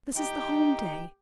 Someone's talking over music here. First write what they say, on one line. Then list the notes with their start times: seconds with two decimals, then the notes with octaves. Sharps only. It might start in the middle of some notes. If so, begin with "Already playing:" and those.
This is the home day.
0.16 D#4 G4 G5